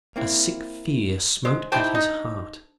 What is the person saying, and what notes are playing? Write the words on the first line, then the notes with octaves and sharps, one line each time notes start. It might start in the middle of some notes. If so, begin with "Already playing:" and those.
A sick fear smote at his heart.
A#3 C4 E4
G#3 C5
D#4 E4 G4 C5 G5 A5
D#4 D#5